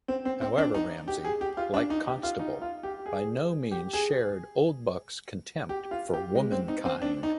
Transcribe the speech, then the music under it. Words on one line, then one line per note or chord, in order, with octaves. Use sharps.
However Ramsay, like Constable, by no means shared Oldbuck's contempt for "womankind".
C4
C4
C4
D4
D#4
G4
G#4
G4
F4
D4
D#4
G4
F4
D#4
F4
G4
G#4
G4
G#4
G4
F4
G4
G#3
C4
D#4
C4
D4
D#4